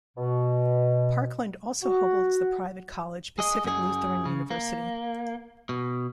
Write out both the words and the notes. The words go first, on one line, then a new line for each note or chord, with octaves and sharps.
Parkland also holds the private college Pacific Lutheran University.
B2
F#4
G#4 D#5
F#2 G#4
C#3
A#3
B2